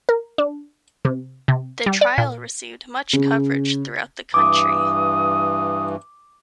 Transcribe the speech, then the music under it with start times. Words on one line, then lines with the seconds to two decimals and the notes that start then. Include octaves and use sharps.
The trial received much coverage throughout the country.
0.09 A#4
0.38 D4
1.05 C3
1.48 C3
1.86 G3
2.01 D5
2.18 A#2
3.13 C#3
4.34 G2 E3 D6 D#6